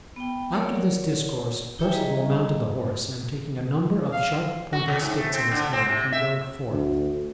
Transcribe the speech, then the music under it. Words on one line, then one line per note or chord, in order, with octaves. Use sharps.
After this discourse Perceval mounted the horse and taking a number of sharp-pointed sticks in his hand he rode forth.
B3 G5
A#4 C#5 D5 F#5
E4 G4 C#5 E5 G5 G#5
G3 G#4 D#5 A#5
F5
F#4
C#3
G#2
A3
C4
D3
C4
C3
E5
D2